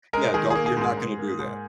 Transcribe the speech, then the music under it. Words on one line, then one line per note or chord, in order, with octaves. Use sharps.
Yeah, don't you're not gonna do that.
G#3 A#4
D#3 G#4
A#3 G#4
G#4
G#2 G#4
G#2
A#3
G#2